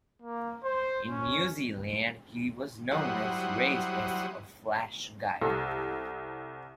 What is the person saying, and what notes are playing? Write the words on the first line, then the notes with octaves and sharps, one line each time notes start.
In New Zealand, he was known and raced as Flash Guy.
A#3
C5
C#4
F#3 G3 E4 C5 F#5 D#6
C2 A4